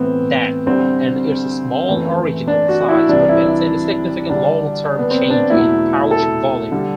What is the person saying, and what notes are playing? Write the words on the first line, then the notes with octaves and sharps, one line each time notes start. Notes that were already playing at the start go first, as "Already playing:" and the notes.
That, and its small original size, prevents any significant long-term change in pouch volume.
Already playing: A2 E3 A3 B3 C4
D2 D3 G3 C4
F#2 E3 A3
D4
F#4
E4
C2 C3 E3 G3 D4
E4
E4
D2 D3 G3 D4
B3
C4
D4
E2 B2 F#3 A3 E4
A4
D3 G3